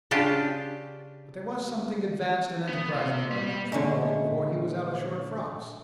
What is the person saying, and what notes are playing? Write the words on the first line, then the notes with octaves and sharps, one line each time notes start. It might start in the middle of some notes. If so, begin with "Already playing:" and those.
But there was something advanced and enterprising about young Smallways before he was out of short frocks.
C#3 D4 F4 G4
B3
C3
G3
G3
A#2 D3 G#3 A3 C#4